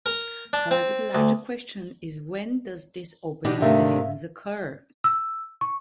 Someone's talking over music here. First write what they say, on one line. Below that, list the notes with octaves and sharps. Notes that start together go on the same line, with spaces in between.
However the larger question is when does this opening of the heavens occur?
A#4
D4
C4
D2
B2 D3 D4 D#4 G4
G#2 C3 D#3 A3 E5 F5
E6
C#6